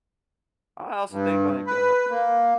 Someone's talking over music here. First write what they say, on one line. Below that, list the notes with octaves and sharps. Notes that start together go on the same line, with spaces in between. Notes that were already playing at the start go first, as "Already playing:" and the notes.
I also think, like, uh,
G2
B4
A#3